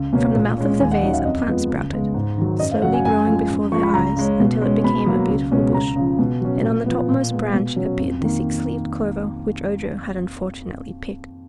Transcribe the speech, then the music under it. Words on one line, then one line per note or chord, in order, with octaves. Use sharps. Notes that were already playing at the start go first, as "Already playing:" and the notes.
From the mouth of the vase a plant sprouted, slowly growing before their eyes until it became a beautiful bush, and on the topmost branch appeared the six-leaved clover which Ojo had unfortunately picked.
Already playing: C#2
B2 A#3 C#4
A#2
G#3 C#4
D#2 G#5
F#5
D#3 F#3 C#4 D#5
F5
F2 D#5
F3 G#3 B3
C#2
C#3 G#3 B3
G#2
D#3 F#3
F#2 D#5
F5
C#3 F#3 C#4 F#5
G#5
F#2 G#5
F3 G#3
F#2
F3 G#3 C#6
B5
C#2 A#5
C#3 G#3 C#4
B2
G#3 C#4
B2 B5
F#3 A#3
C#2
B2 G#3 C#4
C#2 A#5
C#3 F3
B2
F#3 C#4
A#2
F3 B3
A#2
G#3 B3
B2
F#3 C#4
F2
D#3 A#3